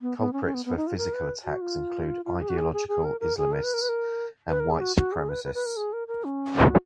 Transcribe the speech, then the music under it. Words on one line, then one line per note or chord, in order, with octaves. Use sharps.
Culprits for physical attacks include ideological Islamists and white supremacists.
B3
B3
C#4
C#4
B3
B3
D#4
F4
A#4
B4
F#4
F4
F4
G#4
F#4
G#4
G#4
G#4
A#4
A#4
G#4
A#4
B4
A#4
B4
A#4
B4
A#4
G#4
F#4
F#4
G#4
B4
B4
B4
A#4
G#4
A#4
A#4
C#4
F#4